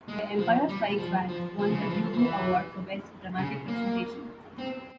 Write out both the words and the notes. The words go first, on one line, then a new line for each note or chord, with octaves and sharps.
"The Empire Strikes Back" won the Hugo Award for Best Dramatic Presentation.
G#3
F3
G3
F3
F3
F3
C#3
E3
F3
F3
E3
C#3
A#3
C4